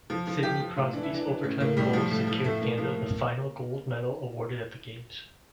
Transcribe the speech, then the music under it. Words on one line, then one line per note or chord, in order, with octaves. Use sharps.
Sidney Crosby's overtime goal secured Canada the final gold medal awarded at the Games.
F3
F3
F3 G4
F3
A2 F4
E3 D4
E4
E3 D4
E3
A2 C#4
A2 A#3
A2 G3
F3
A2
F3
A2 A3
A2 A#3
F3 A#3
A2